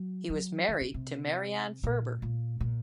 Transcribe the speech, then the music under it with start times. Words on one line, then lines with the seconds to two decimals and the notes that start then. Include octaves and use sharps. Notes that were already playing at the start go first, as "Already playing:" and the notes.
He was married to Marianne Ferber.
Already playing: F#3
0.30 F#3
0.69 D#3
0.81 C#3
0.94 C3
1.84 A#2
2.22 A#2
2.60 A#2